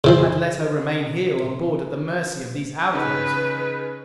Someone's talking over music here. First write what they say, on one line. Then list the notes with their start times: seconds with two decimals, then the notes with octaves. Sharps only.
Had let her remain here on board at the mercy of these outlaws.
0.04 C#3 E3 F3
2.93 C#3 C#4 D#4 B4